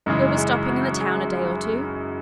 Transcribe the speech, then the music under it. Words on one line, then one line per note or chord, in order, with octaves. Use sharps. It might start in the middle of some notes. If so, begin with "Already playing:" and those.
You'll be stopping in the town a day or two?
F#2 C#3 E3 G#3 D#4
G#4
F#4
G#4